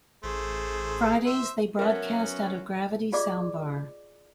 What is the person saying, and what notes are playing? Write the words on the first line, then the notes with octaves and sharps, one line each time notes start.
Fridays they broadcast out of Gravity Soundbar.
A1 A3 G#4 C5
C5 E5
F#3 B3 C#4 A#4 E5
F4 G#4 D5 D#5 D6